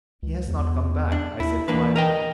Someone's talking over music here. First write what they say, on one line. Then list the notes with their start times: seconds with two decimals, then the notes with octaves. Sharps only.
"He has not come back," I said quietly.
0.23 C#2
0.48 E2
1.12 D4
1.40 D#2 E4
1.68 E3 A#3 D4 B4
1.96 A#4 D#5 G5